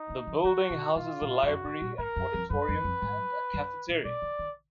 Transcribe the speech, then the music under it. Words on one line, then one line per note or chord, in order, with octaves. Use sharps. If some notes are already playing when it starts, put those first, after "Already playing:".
The building houses a library, an auditorium and a cafeteria.
Already playing: D#4
D3
F3
D3 F#4
B2
B2 F4
A#2
G#2
F#2 F#4
G#2
A#2
G#2 A#4
F#2
F2
F#2 B4
F2
F2
G#2
F#2
A#2
B2 D5
D#3
D#3